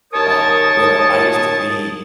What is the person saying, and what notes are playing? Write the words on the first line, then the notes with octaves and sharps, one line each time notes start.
um, when I used to be
D#2 A#4 C#5 A5 D#6